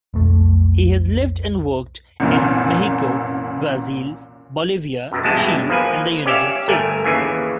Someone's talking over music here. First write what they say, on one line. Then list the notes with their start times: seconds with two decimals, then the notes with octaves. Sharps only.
He has lived and worked in Mexico, Brazil, Bolivia, Chile and the United States.
0.14 B1 F2 A3
2.20 C2 F#2 A#2 E3
5.12 F#2 B2
5.24 E2 G2 B2 G#3 A5
5.70 F3 A#3 B4 G#5
6.25 C#4 G4 D5 E5 F5
6.68 G1 A3 A#4 G#5
7.04 D#2 C#3 E3 G#5